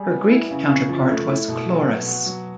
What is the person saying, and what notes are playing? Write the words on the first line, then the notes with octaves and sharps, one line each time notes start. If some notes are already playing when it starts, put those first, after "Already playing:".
Her Greek counterpart was Chloris.
Already playing: G3 G#4
B3
E4
C#3
C#3
F3
A3
E4
B2
F#3
B3
F#4
F#3